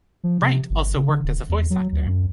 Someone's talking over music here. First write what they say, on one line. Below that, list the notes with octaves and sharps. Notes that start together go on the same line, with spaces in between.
Wright also worked as a voice actor.
F3
C3
G1
C#3
D3
D1
E2
F#3
D2
F#2